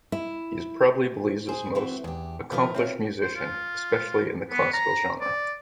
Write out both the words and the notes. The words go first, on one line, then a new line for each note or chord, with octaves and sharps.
He is probably Belize's most accomplished musician, especially in the classical genre.
E4
G#4 C5
E3 C4 F#4
E2 D4 G4
B2 F3 E4 A#4 B4
C4 E4 F4 C#5
C5
F4
B3
A#5
D5